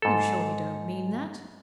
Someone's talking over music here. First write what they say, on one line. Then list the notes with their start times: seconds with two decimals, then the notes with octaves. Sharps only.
"You surely don't mean that?"
0.02 G#2 A4